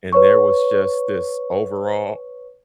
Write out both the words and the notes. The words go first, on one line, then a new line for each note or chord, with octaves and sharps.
and there was just this overall,
B4 C#5 C#6